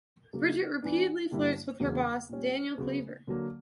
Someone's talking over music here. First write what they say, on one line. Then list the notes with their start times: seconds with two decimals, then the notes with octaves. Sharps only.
Bridget repeatedly flirts with her boss, Daniel Cleaver.
0.33 C#3 F#3 A#3
0.82 E3 B3 D4
1.31 G2 D3 G3 A#3 E4
1.80 E2 C#3 F#3 A#3 D4
2.29 A#2 G3 C#4
2.78 C#3 F#3 B3
3.27 D3 F#3 A#3